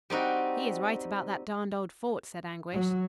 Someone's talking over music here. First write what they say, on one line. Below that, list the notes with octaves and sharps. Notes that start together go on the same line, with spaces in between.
"He is right about that darned old fort," said Anguish.
G3 C4 D#4 F#4
F#3